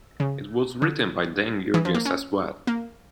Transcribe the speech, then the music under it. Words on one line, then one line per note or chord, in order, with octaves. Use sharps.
It was written by Dan Jurgens as well.
C#3
D3
E3
F3
A#3
C#4
A#3